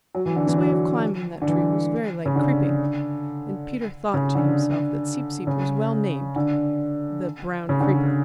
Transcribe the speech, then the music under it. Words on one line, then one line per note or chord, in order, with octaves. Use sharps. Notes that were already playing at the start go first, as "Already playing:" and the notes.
His way of climbing that tree was very like creeping, and Peter thought to himself that Seep-Seep was well named the Brown Creeper.
F#3
E3
D3
E3
F#3
D3
E3
C#3
D3
C#3
D3
C#3
D3
C#3
D3
D3